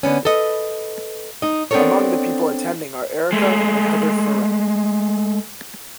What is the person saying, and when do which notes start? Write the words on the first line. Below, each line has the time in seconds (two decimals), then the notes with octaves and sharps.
Among the people attending are Erica and Heather Farrell.
0.03 D3 B3 C#4
0.25 A4 B4 D#5
1.42 D#4 D#5
1.71 B3 C4 D4 A4 A#4 C#5
3.32 G#3 A3